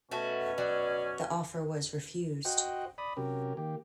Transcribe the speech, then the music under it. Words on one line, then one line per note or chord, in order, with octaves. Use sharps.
The offer was refused.
B2 A3 C#4 F#4
F#3 D5
F#4 C5 D#5 F#5 G5
D5 B5 D#6
C3 F#3 C#4 G4 A#4
D#3 A#3 G4